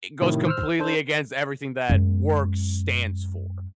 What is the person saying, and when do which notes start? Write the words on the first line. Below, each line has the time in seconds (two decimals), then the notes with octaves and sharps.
it goes completely against everything that work stands for.
0.22 A2 C3 D#3 E4
0.47 C5 E6 F6
0.80 D4 A4 C5
1.90 F#2 G#3